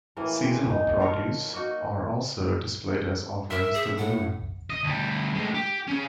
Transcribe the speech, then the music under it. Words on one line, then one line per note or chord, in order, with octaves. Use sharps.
Seasonal produce are also displayed as offerings to the moon.
A2 E3 A#3 G#4
C4 G#4
D#4
F4 A4 A#4 C#5
A#3 D#4 F#4
A#4 E5
G#4
A2 F#5
D#5
D2 G3
A2 G#3
G4
C#4 G#4